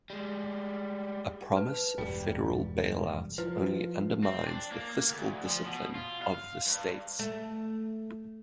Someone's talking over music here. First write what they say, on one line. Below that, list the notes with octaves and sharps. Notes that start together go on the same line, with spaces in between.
A promise of federal bailout only undermines the fiscal discipline of the states.
G3 G#3
B4 A5
E1 G2 G3 G5
F3 E4 B4
C4
D4
A#3
D2
F3
B2
F4
F5
G2
A3